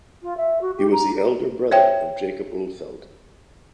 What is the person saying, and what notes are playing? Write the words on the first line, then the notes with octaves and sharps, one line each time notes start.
He was the elder brother of Jacob Ulfeldt.
F4
E5
F#4
G4
A#5
C5 C#5 E5 G5